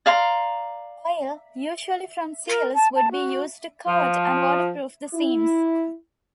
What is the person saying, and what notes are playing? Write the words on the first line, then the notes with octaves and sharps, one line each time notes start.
Oil, usually from seals, would be used to coat and waterproof the seams.
D5 F5 A#5 C6
A#4
A5
A5
F#4
F3
E4